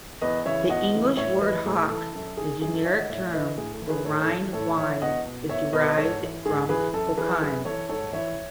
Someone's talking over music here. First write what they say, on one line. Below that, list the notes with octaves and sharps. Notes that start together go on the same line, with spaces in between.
The English word "hock", a generic term for Rhine wine, is derived from Hochheim.
E2 B4 D#5
C#3 E3 C#5 E5
E2 D#5 F#5
C#3 E3
A2 C#5 E5
E3 B4 D#5
A2 G#4 B4
E3 A4
F#2 A4
D#3 G#4
F#2 G#4
A4
D#3 C#5 E5
D#5 F#5
A2 C#5 E5
E5
E3 B4 D#5
A2 G#4
A4
E3
G#4 B4
A2 A4 C#5
A4 C#5
E3
A2 A4 C#5
E3 C#5 E5
E2 D#5 F#5
B2
E2 C#5 E5
B2 B4 D#5
D#5
G#2 A4 C#5
E3
G#2 G#4
E3 G#4 B4
F#2 A4
E3 G#4 B4
F#2 G#4 B4
E3 A4 C#5
G#2 A4 C#5
E3 C#5 E5